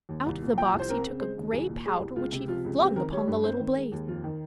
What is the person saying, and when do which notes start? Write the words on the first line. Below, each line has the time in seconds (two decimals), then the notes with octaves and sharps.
Out of the box he took a gray powder, which he flung upon the little blaze.
0.09 D#2
0.26 C2
0.42 A#2
0.57 F3 G5
0.73 C2
0.80 C5
0.89 C4 A#4
1.06 C#3
1.20 G#3 C5
1.37 D#2
1.52 C2 G#4
1.69 A#2
1.85 G3 G#4
2.00 C2
2.16 C#2 F4
2.32 C3
2.48 F3 F4
2.65 C#2
2.80 C4 G4
2.96 D#3 A#4
3.12 G3 C#5
3.28 G2
3.44 C4 C5
3.60 D#3
3.76 G#3
3.92 D#2
4.07 F2 F4
4.24 D#3